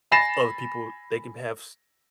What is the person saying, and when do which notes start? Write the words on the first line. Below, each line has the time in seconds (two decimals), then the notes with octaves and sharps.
other people they can have s
0.11 G#5 B5 A6 A#6 C7 E7